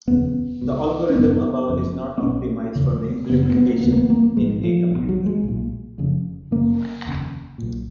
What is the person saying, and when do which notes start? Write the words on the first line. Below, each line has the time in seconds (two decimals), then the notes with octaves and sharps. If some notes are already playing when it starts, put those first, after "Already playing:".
The algorithm above is not optimized for the implementation in a computer.
0.07 F1 D#2 C#3 B3
0.61 C#2 B2
1.10 C#4
1.15 G#1 F#2 C#3 B3
1.69 F#1 F2 C#3
2.18 B3
2.22 B1 B2 C#4
2.75 F1 D#2 C#3
3.30 F#1 F#2 C#3 B3
3.43 B3
3.57 B3
3.70 A#3
3.83 F1 D#2 C#3 B3
3.92 A#3
3.97 B3
4.10 A#3
4.23 A#3
4.37 A#1 G#2 G#3
4.64 F3
4.91 B1 B2
5.09 F#3
5.26 G#3
5.44 B1 A#2
5.98 F1 F2 C#3
6.51 F#1 F2 C#3 A#3
7.05 F1 D#2 C#3
7.58 B1 A#2